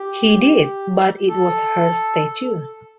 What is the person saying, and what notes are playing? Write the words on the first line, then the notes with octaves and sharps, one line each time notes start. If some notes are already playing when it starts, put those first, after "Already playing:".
He did, but it was her statue.
Already playing: G4
A4